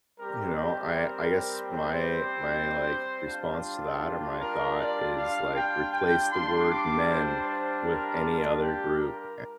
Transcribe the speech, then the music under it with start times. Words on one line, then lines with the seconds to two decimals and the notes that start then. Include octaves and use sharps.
you know, I I guess my my, like, response to that, or my thought is, like, replace the word men with any other group, and,
0.18 G3 C4 G4 A#4
0.56 G4
0.95 A#4
1.71 C5
3.25 G3 D4 F4
4.01 G4
4.39 A#4
4.78 D5
5.16 F5
5.54 G5
5.93 G5
6.31 G3 D4 F4 C6
6.69 D6
7.08 C5
7.46 C5
7.84 A#4
8.61 G4
9.00 A#4